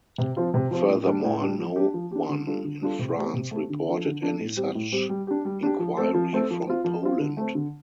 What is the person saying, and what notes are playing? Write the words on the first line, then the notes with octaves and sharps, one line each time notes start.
Furthermore, no one in France reported any such inquiry from Poland.
C3
F3 C4 F4
C3
F3 C4 F4
A2
G3 D4
A2
G3 D4
F3
D4 G4
F3
D4 G4
D3
G3 D4 F4 A4
D3
G3 D4 F4 A4
C3
A3 C4 G4
C3
A3 C4 G4
D3
F3 D4 A4
D3
F3 D4 A4
A2
G3 C4 G4
A2
G3 C4 G4
G3
D4 G4
G3
D4 G4
F3
A3 C4 A4
F3
A3 C4 A4
F3
C4 F4
F3
C4 F4
D3
A3 C4
D3